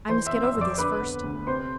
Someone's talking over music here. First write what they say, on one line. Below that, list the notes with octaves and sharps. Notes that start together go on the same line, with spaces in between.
I must get over this first.
E3 C5 C6
E5 E6
C4
E5 E6
F2
D5 D6
D3 B4 B5
B3
D2
C3 C5 C6